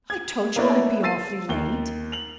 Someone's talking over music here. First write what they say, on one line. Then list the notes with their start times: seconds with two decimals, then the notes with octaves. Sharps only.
"I told you I'd be awfully late."
0.10 G#6
0.56 A#3 B3 E4 C#5 D5
1.03 E6 A6 C7 D#7
1.49 D#2 G7
2.12 F7 F#7